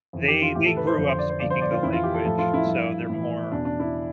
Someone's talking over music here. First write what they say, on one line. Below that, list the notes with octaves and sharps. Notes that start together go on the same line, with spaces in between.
they they grew up speaking the language, so they're more
F2 E3
G4
F4
A2 E3 G4
A4
B4
C5
F2 D3 F3 C5
C5
D5
C5
G2 D3 F3 D5
C5
D5
F4
F2 E3 E4
F4
G4
A4
A2 F3 A4
F4
E4
G2 F3
A2 E3
E2 B2 D4
D4
E4